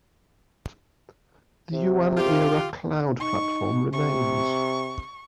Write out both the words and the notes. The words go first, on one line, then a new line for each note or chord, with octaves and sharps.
The Yuan era Cloud Platform remains.
C3
F4 G4
D#4 C#6
C3 C#6